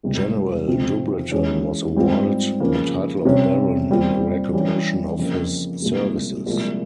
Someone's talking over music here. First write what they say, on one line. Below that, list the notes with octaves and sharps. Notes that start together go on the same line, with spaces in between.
General Dubreton was awarded the title of baron in recognition of his services.
C#2 C3 G3 C4
F2 C3 F3 C4
E3 G#3 C#4
G#2 G3 C4 F4
C#3 F3 A#3
C3 G3 C#4
A#2 G3 C4 F4
E3 G3 C#4
F2 C#3 F3 A#3
C2 A#2 G#3
C2 A#2 F3 G#3